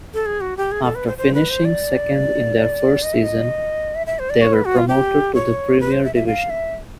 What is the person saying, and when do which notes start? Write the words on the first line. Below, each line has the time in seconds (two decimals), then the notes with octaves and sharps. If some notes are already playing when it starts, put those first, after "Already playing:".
After finishing second in their first season, they were promoted to the Premier Division.
0.14 A4
0.26 G#4
0.41 F#4
0.57 G4
0.72 G#4
0.84 A4
0.95 B4
1.07 C5
1.18 C5
1.34 B4
1.50 C5
1.65 D5
3.03 D#5
3.13 E5
3.24 D#5
3.95 E5
4.07 E5
4.19 C5
4.30 D5
4.42 C#5
4.54 B4
4.65 F#4
4.77 F4
4.88 G4
5.35 C#5
5.80 B4
5.92 C5
6.04 E5
6.15 E5
6.27 F5
6.50 E5